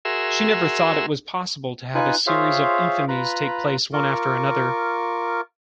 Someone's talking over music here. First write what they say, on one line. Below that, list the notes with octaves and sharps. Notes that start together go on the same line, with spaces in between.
She never thought it was possible to have a series of infamies take place one after another.
F#4 G#4 A#4 E5 C6 E6
D#4 F4 B4 G#5 F#6
F4 G#4 C5 C#5 E5 F5
F4 B4 A#5 B5
F4 A#4 C#6 D6